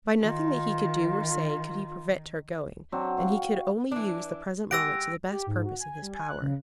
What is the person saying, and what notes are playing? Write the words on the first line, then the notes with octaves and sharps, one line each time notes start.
By nothing that he could do or say could he prevent her going, and he could only use the present moment to the best purpose in his power.
D#3 F4
F#3 C4 D4
C#5 F5 G5
E3 D4
G#3 G4 F#5 E6 A#6 D7
G4
G#2
F#4
G#5
G3
G#5
F#6
C#3